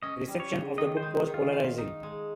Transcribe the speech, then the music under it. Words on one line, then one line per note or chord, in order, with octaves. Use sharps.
Reception of the book was "polarizing".
C#4 D#5
G3
C#5
C#3
D#3 D#5
C5
G#3
D#3
F4
F5
D#4
G#3